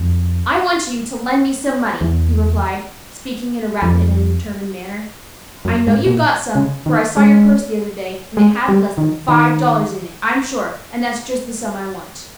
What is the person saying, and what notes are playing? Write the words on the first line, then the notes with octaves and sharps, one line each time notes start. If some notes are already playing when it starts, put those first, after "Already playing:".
"I want you to lend me some money," he replied, speaking in a rapid and determined manner; "I know you've got some, for I saw your purse the other day, and it hadn't less than five dollars in it, I'm sure, and that's just the sum I want."
Already playing: F2
E2
F2
F#2
G#2
B2
A#2
C#3
D#3
G#3
G#3
G3
D#3
D#3